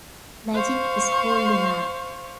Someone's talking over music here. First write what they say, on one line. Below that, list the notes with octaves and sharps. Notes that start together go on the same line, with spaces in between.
Magic School Lunar!
C5 F5 C#6